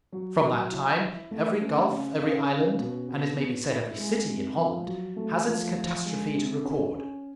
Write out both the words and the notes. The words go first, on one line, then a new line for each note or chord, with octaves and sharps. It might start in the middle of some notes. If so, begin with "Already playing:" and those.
From that time every gulf, every island, and it may be said every city, in Holland has its catastrophe to record.
F#3
F#3
E4
E4
A3
C#4
C#3
C#3
C#4
B2
B3
B3
E4
G#3
C3
F3
F#3
A3
F3
F3
G#3
C3
C#4
C#4